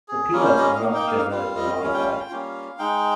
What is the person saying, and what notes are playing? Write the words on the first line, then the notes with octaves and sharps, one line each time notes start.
The peanuts are not genetically modified.
G#4
G3 A#3 C#4 F4 A#4
C5
D#5
F5
D#5
A#3 D#4 F5
G5
F5
F5
G3 C4 F4 F5
D#5
G3 C#4 F4 F5
G5
F5
G5
G3 A#3 C#4 F4 F5
G#3 D#4 G5